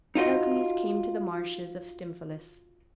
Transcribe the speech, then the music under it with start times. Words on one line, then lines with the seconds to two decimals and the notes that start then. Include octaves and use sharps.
Heracles came to the marshes of Stymphalus.
0.15 D#4 F4 F#4 D#5